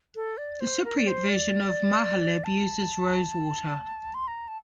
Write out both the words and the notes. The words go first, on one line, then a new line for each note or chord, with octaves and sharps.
The Cypriot version of mahaleb uses rosewater.
A4
D5
C5
A#4
D5
C5
D5
A5
C6
A#5
A5